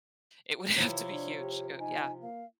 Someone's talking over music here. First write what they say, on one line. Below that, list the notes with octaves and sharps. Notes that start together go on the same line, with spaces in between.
It would have to be huge, uh, yeah.
C3 E3 F3 E4 C#5
D4
G4
D#4 G#5
A#3 F5